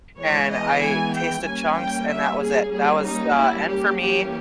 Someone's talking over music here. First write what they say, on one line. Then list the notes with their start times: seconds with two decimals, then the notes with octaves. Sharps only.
and I tasted chunks, and that was it, that was the end for me.
0.19 E3 G#3 B3 C#5
0.50 D#5
0.82 G#5
1.14 G5
1.46 G3 A#3 C#4 G#5
1.78 G5
2.09 E5
2.41 G#4
2.73 G3 A#3 C#4 G#4
3.06 D#4
3.37 E4
3.69 G4
4.00 E3 G3 A#3 C#4 G4